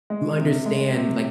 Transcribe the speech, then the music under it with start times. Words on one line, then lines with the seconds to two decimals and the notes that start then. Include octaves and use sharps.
you understand, like,
0.10 G#3
0.38 C3
0.66 G#3
0.93 C3